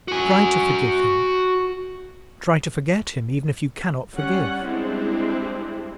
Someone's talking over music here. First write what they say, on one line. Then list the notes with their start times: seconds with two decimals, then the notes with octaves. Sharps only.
Try to forgive him; try to forget him, even if you cannot forgive.
0.08 F#4 G#5
4.15 G3 C#4 C#5 F#5
4.62 G3 G#3 C4 D4 E4